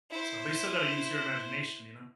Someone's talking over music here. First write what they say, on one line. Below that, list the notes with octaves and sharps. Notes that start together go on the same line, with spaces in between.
So but you still gotta use your imagination, you know?
E4 C5